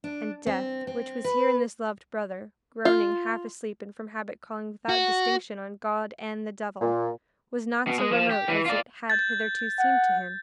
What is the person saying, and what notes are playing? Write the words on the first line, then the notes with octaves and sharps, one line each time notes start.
And death, which was here in this loved brother, groaning half asleep and from habit calling without distinction on God and the devil, was not so remote as it had hitherto seemed to him.
D4
C4
C4
B4
F4
F#4
A#2
B2
G#3
F3
G4
E3
F4 D5
G6 A6
F#5